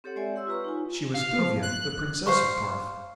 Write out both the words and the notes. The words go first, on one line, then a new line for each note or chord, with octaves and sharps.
She was Thuvia, the Princess of Ptarth.
C4 G4 A4 C#5 F#5
G#3 C4 C#5 D5 E5 G#5
G4 F#5 C6 E6
F4 B4 A#5 C#6
D#4 F4 G#5
F5
F3
F#6
C5 F5 C6 C#6